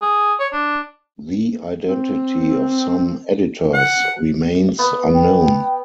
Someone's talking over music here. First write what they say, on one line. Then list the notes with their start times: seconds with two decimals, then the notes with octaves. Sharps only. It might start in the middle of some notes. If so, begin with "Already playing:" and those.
The identity of some editors remains unknown.
0.02 G#4
0.39 C#5
0.52 D4
1.86 C4
3.74 F#5
4.79 B3
5.14 G5